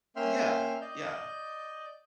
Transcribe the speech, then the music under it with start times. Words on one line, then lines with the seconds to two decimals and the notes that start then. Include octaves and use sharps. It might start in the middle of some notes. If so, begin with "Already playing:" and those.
Yeah. Yeah.
0.16 A#3 C#4 E5 G5 C6 F6
0.81 D5 D#5 G6